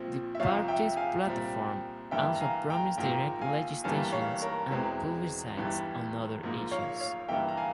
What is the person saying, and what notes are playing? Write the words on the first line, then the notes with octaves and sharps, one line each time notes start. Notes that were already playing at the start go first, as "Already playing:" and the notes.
The party's platform also promised direct legislation and plebiscites on other issues.
Already playing: A#1 A#2 F3 C4
E5
C2 C3 F3 C#5 F5
E5 G5
F5 G#5
C2 A#2 G3 C4
G2 E3 A#3 E5 G5
A#5
F5 G#5
G5 A#5
A#1 G#2 F3 A#3 G5 A#5
F5 G#5
G1 G2 E3 G3 A#3 F5 G#5
C#5 F5
A#4 C#5
E1 E2 E3 G#3 C4
G1 G2 E3 G3
A#1 G#2 F3 A#3
C#5 F5
C#5 F5
G2 E3 A#3 E5 G5
A#5
F5 G#5